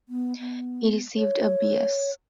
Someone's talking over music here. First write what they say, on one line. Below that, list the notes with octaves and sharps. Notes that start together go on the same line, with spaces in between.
He received a B.s.
B3
B3
C#5